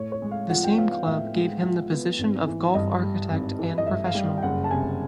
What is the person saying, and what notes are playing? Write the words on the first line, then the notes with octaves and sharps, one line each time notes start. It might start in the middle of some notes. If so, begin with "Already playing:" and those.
The same club gave him the position of Golf Architect and Professional.
Already playing: A2 C#5
C#5
G#3
F5
F3 F#5
G5
B3 F5
F5
A2 E5
G#3
F3
B3
G#1
E3
G2 D#5
G3
G#1
E3
D#5
G2 E5
F5
G3
F5
G5
F#1 F#5
A5
C3 G#5